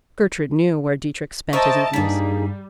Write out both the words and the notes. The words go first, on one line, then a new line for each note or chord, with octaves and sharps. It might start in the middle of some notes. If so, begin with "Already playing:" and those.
Gertrude knew where Dietrich spent his evenings.
A#4 C5 D#5 E5 A5 C#6
G2 G3 A#3 D#4 G#4 B6